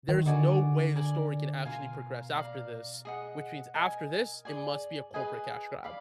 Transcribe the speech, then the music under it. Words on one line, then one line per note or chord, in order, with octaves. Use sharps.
"There's no way the story can actually progress after this, which means after this, it must be a corporate cash grab."
D#3
D3 D#4 F#4 D5 G#5
A#4 D5 G#5 D6
B2 F4 A#4 F5 G#5
D5 F5 A#5
G#4 D#5 F#5
A#4 D#5 G#5
G#2 G#4 D5 G#5
G#4 B4 D#5 G#5
D5 F5 B5